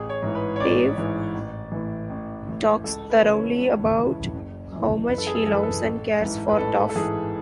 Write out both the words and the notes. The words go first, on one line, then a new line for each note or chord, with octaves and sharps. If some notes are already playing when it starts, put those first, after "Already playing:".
Dave talks thoroughly about how much he loves and cares for Toph.
Already playing: A1 G#4
C#5
G#2 E3
B4
C#5
A1 D5
G#2 E3
A1
A2 E3
A1
A2 E3
C#2 A4
B4
C#3 E3
C#5
C#2
C#3 E3
F#1
F#2 E3
F#1 B4
A4
G#4
A4
F#2 E3 A4
B4
A4
A1
G#2 E3
B4
A1 A4
A4
G#2 E3 G#4